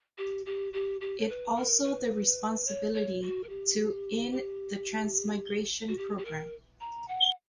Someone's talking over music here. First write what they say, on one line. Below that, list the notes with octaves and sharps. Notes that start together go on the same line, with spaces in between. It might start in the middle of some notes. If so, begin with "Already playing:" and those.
It also the responsibility to in the Transmigration Program.
G4
G4
G4
G4
C#5
B4
A#4
B4
C#5
C#5
F#4
A#4
G4
G4
F#4
G4
G4
A#4
A#5
F#5